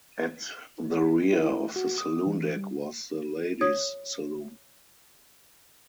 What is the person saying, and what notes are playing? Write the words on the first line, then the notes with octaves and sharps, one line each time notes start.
At the rear of the saloon deck was the ladies’ saloon.
E4
F#4
D#6
E3
G3
C#5 D#6 G#6